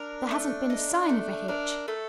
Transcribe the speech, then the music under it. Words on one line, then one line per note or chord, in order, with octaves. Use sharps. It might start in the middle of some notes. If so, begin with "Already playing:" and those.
There hasn't been a sign of a hitch.
Already playing: D4 A#4
A3
D#4
A3
D4 A#4
A3 A4